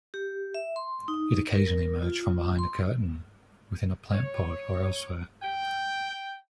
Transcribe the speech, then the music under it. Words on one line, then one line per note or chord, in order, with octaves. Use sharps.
It occasionally emerged from behind a curtain, within a plant pot, or elsewhere.
G4
E5
C6
D#4
A#4
F4
C6
C#5
G5